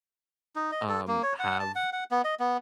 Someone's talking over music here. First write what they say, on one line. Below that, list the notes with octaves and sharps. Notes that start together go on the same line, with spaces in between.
um, have
D#4
D#5
A4
A#3
C#5
F#5
A5
F#5
F#5
B3
D#5
B3